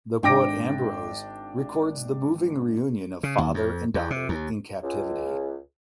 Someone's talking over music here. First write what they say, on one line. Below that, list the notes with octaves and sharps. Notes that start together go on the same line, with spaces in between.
The poet Ambroise records the moving reunion of father and daughter in captivity.
G#1 D4 G5 D6 A#6 D7
C#3
D#2
F2
E2
C3
D#2
C#2